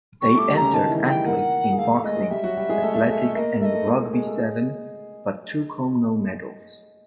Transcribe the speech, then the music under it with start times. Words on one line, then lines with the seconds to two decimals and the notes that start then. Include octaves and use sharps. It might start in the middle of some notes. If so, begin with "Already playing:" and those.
They entered athletes in Boxing, Athletics and Rugby Sevens, but took home no medals.
0.22 G3 G4 C#6
0.34 A3 A4 D6
0.48 G3 G4
0.56 C#3 C#4 A#5
0.73 D#3 D#4 A5
0.87 E3 E4
0.99 D#3 D#4
1.08 G3 G4 G5
1.26 A#3 A#4 F#5
1.73 G#4
1.78 A3 A4 F5
1.92 A3 A4
2.04 G#3 G#4 D#5
2.17 G#3 G#4
2.30 G3 G4 E5
2.43 F#3 F#4
2.57 G3 G4
2.69 G#3 G#4
2.82 A3 A4
2.96 G#3 G#4
3.08 A3 A4
3.21 A3 A4
3.35 A#3 A#4 D#5 E5
3.60 A3 A4 E5
3.66 D#5
3.73 A3 A4
3.87 G#3 G#4
4.00 G#3 G#4
4.13 G#3 G#4
4.26 A3 A4
4.39 G#3 G#4